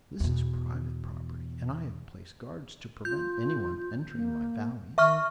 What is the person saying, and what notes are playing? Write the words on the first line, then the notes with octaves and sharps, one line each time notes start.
"This is private property, and I have placed guards to prevent anyone entering my Valleys."
E2 B2
F4 G6
A#3
D#3 E5 C#6 F6